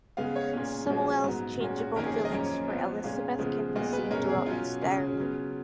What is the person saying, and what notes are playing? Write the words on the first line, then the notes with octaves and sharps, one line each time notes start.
Samuel's changeable feelings for Elisabeth can be seen throughout his diary.
C#3 G#3 B3 F5
C#5
A#2 G#3 C#4
A#2 F3 G#3 C#4 F#4
G#2 F#3 B3
A#2 G#3 C#4 F#4
F#4
F2 D#3 A#3 C#4 A#4
G#4
A#4
D#5
F#2 F3 A#3 C#4 C#5
F2 F3 B3
A#2 G#3 C#4 F5
C#3 F3 G#3 B3
A#2 G#3 B3 D#5
B4
B2 G#3 C#4 A#4
G#4
B2 F#3 C#4 F4
C#3 G#3 C#4
C#3 F#3 B3